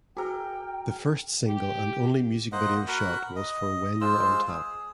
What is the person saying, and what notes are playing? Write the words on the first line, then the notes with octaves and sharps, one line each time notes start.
The first single and only music video shot was for When You're On Top.
F#4 G#4 G5 G#5 A#5 F6
G4
A#3 C5 D#5 F#5
F#4 A#4 F#5 B5
D#5
G#3 F4 C5 E6
G#4